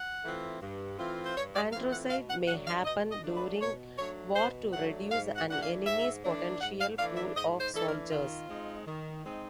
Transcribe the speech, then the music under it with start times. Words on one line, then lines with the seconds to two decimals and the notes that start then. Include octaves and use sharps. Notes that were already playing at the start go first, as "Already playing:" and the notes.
Androcide may happen during war to reduce an enemy's potential pool of soldiers.
Already playing: F#5
0.23 E3 A3 C4 F4
0.61 G2
0.97 E3 A3 C4 F4
1.26 C5
1.35 G2 C#5
1.54 D5
1.73 E3 A3 C4 F4 F5
1.91 F#5
2.10 B2 F5
2.29 F#5
2.47 F#3 A3 D4 F#5
2.66 F5
2.85 B2 D#5
3.11 D#5
3.23 F#3 A3 D4
3.35 B4
3.60 B2 C#5
3.97 F#3 A3 D4 C#5
4.35 B2 C5
4.73 F#3 A3 D4 F#5
5.11 G#2 F5
5.36 F#5
5.48 E3 A3 D4 F#5
5.61 F5
5.85 G#2 E5
6.23 E3 A3 D4
6.60 G#2 F#5
6.79 F5
6.98 E3 A3 D4 F5
7.16 E5
7.35 G#2 D#5
7.61 C5
7.73 E3 A3 D4 A4
7.86 A#4
8.10 D#3 F4
8.48 G#3 C4 D#4
8.86 D#3
9.23 G#3 C4 D#4